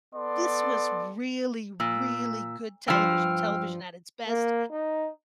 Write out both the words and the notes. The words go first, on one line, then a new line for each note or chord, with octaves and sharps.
this was really, really good television television at its best,
B3 A4 D5 C6
A#2 E6
G2 F3 G5 E6 F6
A#3
D#4